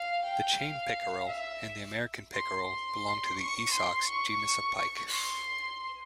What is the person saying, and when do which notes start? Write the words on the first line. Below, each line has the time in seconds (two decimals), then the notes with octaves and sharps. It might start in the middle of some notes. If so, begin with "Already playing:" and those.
The chain pickerel and the American pickerel belong to the "Esox" genus of pike.
Already playing: F5
0.25 G5
0.60 F5
1.29 E5
2.33 C6
2.68 C6
3.37 C#6
3.72 C6
4.07 C#6
5.11 C6